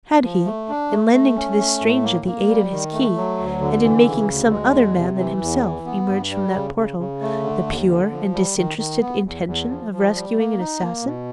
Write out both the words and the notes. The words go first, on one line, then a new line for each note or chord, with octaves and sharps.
Had he, in lending to this stranger the aid of his key, and in making some other man than himself emerge from that portal, the pure and disinterested intention of rescuing an assassin?
F3
A3
D4
A3
A3
C#4
A3
A2
A#3
A#3
G3
D#3
A3
F#3
D2
D3
E3
C#3
D2
G#3
E2
C3
E3
E2
E3
B3
G2
G3
C#3
C#3
C#3
A3
D3
D#2
D3
F3
G3
D#3
D#3
B3
E2
E2
F3
F3
G3
A#3
D#4
A#3
B2